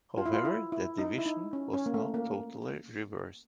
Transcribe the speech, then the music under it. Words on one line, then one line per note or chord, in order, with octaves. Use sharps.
However, the division was not totally reversed.
F4
E4
F4
E4
E4
D#4
E4
D#4
C#4
C#4
A#3
A3
A#3